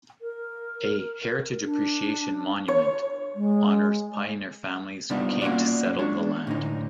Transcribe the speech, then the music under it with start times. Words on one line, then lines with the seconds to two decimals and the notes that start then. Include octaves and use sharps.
A "Heritage Appreciation Monument" honors pioneer families who came to settle the land.
0.22 A#4
1.63 D4
2.68 C#5
3.35 G#3
5.10 C3 G3 B3 D4 D#4 F4
5.41 A#3 C#4 F4 F#4 D5
5.86 F#2
5.99 G#3 D4 C#5
6.47 A2 D3 D#4